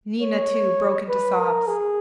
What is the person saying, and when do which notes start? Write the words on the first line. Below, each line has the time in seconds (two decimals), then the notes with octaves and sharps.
Nina, too, broke into sobs.
0.22 C#5
1.09 B4
1.38 A#4
1.67 G#4